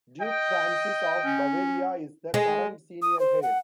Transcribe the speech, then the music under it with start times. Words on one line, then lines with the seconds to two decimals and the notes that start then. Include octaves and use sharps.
Duke Francis of Bavaria is the current senior heir.
0.21 D#5 G5
1.25 C#4
2.34 G#3
3.02 D#6
3.20 C5
3.42 F#5